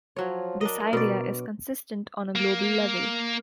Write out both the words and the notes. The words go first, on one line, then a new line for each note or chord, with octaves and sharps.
This idea is consistent on a global level.
F3 F#3 C#5
D4 A#4 D#5
B2 D5
A#3